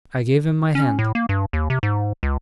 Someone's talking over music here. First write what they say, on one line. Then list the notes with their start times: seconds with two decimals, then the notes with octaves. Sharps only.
I gave him my hand.
0.75 C#4
0.99 A2
1.15 A#3
1.29 G2
1.53 D#2
1.70 C3
1.83 G#2
2.23 C#2